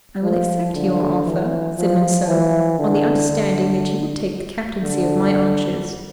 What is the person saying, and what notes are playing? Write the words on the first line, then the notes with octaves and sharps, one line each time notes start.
"I will accept your offer," said Monceux, "on the understanding that you will take the captaincy of my archers."
F3
D3
E3
F3
E3
D3
D3
D3